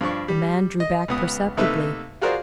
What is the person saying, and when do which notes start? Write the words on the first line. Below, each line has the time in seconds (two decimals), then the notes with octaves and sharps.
The man drew back perceptibly.
0.01 G2 F3 D4 C#6
0.28 G3
0.80 D#5
1.08 C#2 B3 D#6
1.57 C3 A3 A#3 D#4 B4 E5
2.21 F4 F#4 G#4 A#4 C5 D5